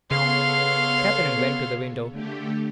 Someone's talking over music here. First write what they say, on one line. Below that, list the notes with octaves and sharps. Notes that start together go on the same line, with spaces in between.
Catherine went to the window.
C#3 B3 A4 C#5 F5 C6
D3 A3 G4